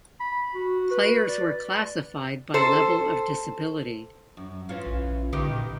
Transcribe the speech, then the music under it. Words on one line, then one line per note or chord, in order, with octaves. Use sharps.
Players were classified by level of disability.
B5
F#4
B4
D5
A4 C5
F#2
E3 C#4 F4
A#1
D3 D#3 B3 G4
A#2